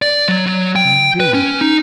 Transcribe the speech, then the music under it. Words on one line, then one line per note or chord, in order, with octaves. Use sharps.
No, indeed!
D5
F#3
F#3
G5
B4
C#4
D#4